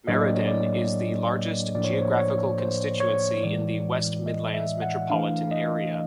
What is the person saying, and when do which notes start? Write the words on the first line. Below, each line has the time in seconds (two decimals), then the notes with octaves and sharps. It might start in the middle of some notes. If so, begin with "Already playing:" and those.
Meriden is the largest geographical constituency in the West Midlands metropolitan area.
0.07 A2 F#3 A#3 D4 D#5
0.22 D5
0.35 C#5
0.48 D5
1.75 A2 F3 A#3 D4 D5
1.84 C#5
1.93 C5
2.02 C#5
2.17 C#5
2.59 C5
3.00 C#5
3.43 A2 E3 G#3 D5
4.26 D#5
4.54 E5
4.82 F#5
5.10 E3 A3 D4 F5
5.52 D#5